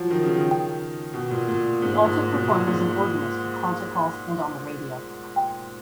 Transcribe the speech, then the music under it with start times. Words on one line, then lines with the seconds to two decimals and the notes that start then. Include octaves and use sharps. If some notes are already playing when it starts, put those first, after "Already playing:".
He also performed as an organist in concert halls and on the radio.
Already playing: F3 F#3
0.11 D#3
0.22 C#3
0.34 D#3
1.14 B2
1.30 A#2
1.48 A#2
1.82 G#2
1.93 A#2
2.04 G#2
2.32 B2
2.50 A#2
2.67 G#2